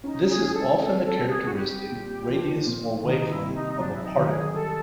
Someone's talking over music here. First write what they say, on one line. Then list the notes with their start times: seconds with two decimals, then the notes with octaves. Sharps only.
This is often a characteristic radius or wavelength of a particle.
0.03 C#4 D#4
0.28 G#4
0.41 G#3
0.47 G#4
0.53 A4
0.78 C4 A4
1.04 A4
1.16 G3
1.28 G#4
1.45 F#4
1.54 G3 G4
1.92 A#2
2.29 F3
2.67 A#2
3.04 D#3 D#4
3.18 D#4
3.29 E4
3.41 C3
3.54 D#4
3.73 D#4
3.79 F#3 D4
3.94 E4
4.04 D#4
4.17 D#3 G4
4.30 G#4
4.54 G3 A4